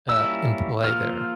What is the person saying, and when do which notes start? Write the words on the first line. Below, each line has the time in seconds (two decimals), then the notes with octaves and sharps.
uh, in play there.
0.08 G3 A#3 C#4 E4 E6
0.84 F3 A#3 F4 C5 F6